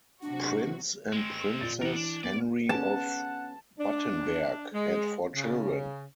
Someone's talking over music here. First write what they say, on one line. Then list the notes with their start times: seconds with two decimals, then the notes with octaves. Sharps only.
Prince and Princess Henry of Battenberg had four children.
0.22 C3 F#3 D4 F#4
1.13 G#3 C4
1.61 A#2 A6
1.82 E3 A#4 F#5
1.96 D4
2.24 B3 D5
2.69 B3 C#4 F#5 A5
3.79 D4
4.74 G#3
5.34 C#3